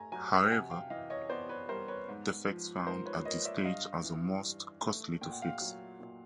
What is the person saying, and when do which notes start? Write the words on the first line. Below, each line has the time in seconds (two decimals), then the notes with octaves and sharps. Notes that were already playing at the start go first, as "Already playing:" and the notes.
However, defects found at this stage are the most costly to fix.
Already playing: A3 G#5 A#5
0.12 F#3 G#5 A#5
0.46 G5
0.51 C3 F#5 G#5
0.71 F5 G5
0.90 E3 D#5 F5
1.10 C#5 D#5
1.30 B3 C5 D5
1.49 B4 C#5
1.69 G3 A#4 C5
1.88 B4 C#5
2.08 G#2
2.48 F3
2.86 G#2 A#4 C5
3.06 B4 C#5
3.25 A#3 C#5 D#5
3.45 D5 E5
3.65 G2 D#5 F5
4.04 E3
4.43 G2
4.82 A3
5.21 A#2 G5
5.32 F#5
5.42 F5 G5
5.61 F#3
6.00 A#2